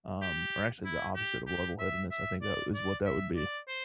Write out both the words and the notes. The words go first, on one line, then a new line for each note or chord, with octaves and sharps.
um or actually, the opposite of level-headedness I think that is what that would be.
G4
E4
G4
G4
E5
E5
D5
D5
E5
D5
C5